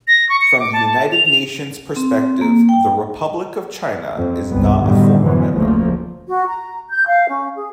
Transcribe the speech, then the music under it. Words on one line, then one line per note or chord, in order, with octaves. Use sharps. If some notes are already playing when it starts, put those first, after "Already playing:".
From the United Nations' perspective the "Republic of China" is not a former member.
A#6
C#6
C#7
D6
A5
F7
F7
C4
A#3
G5
F2
G1 C2 G2 C3 B3
F#2 A2 D3 D#3 G3 B3
F#2 E3 F3 B3
F1 D2 C#3 F3 A3 A#3
F#4
A#5
G6
F5
C#4
G#4